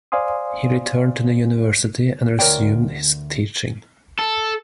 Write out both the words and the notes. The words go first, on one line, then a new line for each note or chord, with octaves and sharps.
He returned to the university and resumed his teaching.
C5 D5 F5 G#5 C6 D#6
D2 A#4 B4 C#5 D5 G5
A4